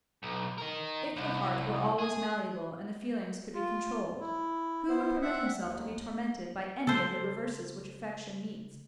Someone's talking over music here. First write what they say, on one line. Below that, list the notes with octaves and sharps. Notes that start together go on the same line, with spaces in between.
If the heart were always malleable and the feelings could be controlled, who would permit himself to be tormented by any of the reverses which affection meets?
B1
D#4 A#4
C2
G#4
F4
E4
B3 C5
C4 E5 F#5
D#2
C#3 A4 C5